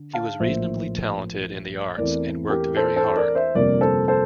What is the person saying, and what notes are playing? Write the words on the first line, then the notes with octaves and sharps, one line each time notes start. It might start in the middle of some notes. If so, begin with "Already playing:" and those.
He was reasonably talented in the arts and worked very hard.
Already playing: D3
F5 A5
A#1 A2 F3 A#3 C5 E5
E2 E3 A3 C4 E4 A#4 D5
G4 A#4
A4 C5
A4 C5
A#4 D5
C5 E5
G1 F2 C3 F3 A#3 A#4 D5
A4 C5
A4 C5